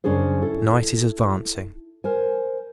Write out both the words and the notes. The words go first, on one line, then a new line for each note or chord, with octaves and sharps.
Night is advancing.
F#2 C#3 C#4 D4 G#4 C5
E4 A4
A#4 C5 G#5